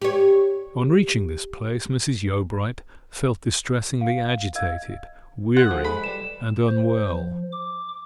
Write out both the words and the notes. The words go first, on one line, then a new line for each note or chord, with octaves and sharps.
On reaching this place Mrs. Yeobright felt distressingly agitated, weary, and unwell.
G4 C#5
F5
D#5 F5 E6 G#6
F#5 C6
F3 G#3 A4
G#3 B5
G3 B4 E7
C5
F3
D6